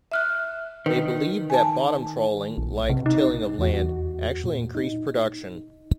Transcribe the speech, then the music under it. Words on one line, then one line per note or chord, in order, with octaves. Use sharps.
They believed that bottom trawling, like tilling of land, actually increased production.
E5 F6 F#6
D#3 B4
G#5 A5
A#1
C3
D#4
E2 F#4
A#2
D#4